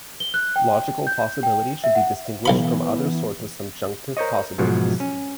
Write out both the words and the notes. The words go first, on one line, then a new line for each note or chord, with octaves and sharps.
Logical possibility should be distinguished from other sorts of subjunctive possibilities.
G7
F#6
G5
G6
G5
E5
F#5
B1 E3 B3 F5 B5
A#4 C5 C#5 D#5
G#2 B2 F3 F#3
C#4